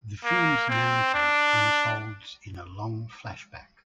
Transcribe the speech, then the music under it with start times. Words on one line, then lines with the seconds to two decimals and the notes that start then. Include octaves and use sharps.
The film's narrative unfolds in a long flashback.
0.25 A#3
0.70 C4
1.14 D4